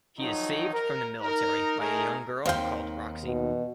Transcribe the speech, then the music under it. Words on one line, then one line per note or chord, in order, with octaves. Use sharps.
He is saved from the military by a young girl called Roxy.
D#3 F3 F#3 D#4
A#4
D#4 A#4
A3 D#4 G#4 A#4
D#2 D#3 C4 F5 G5
B2